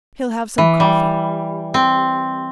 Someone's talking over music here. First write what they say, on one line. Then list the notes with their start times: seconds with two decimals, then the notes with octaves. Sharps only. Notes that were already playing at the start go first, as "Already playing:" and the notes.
He'll have some coffee.
0.58 E3
0.80 G3
1.74 C4